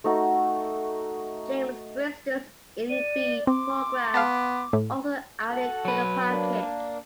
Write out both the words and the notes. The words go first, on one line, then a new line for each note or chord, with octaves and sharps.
James Brister's "innfeed" program was also added to the package.
A3 D#4 F#4
D5 D#7
C4 C6 D6
B3 F5 A5
A2
F#4 A4 F#5
F#3 B4
A#3 D4